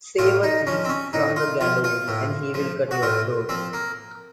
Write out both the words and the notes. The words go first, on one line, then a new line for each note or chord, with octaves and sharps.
Save a thief from the gallows and he will cut your throat.
A2 F4
D#4
F3 C#4
C4
C#4
A2 D#4
F4
F3 F4
F4
A2
F3
F#4
A2 F4
F3 C4
A#3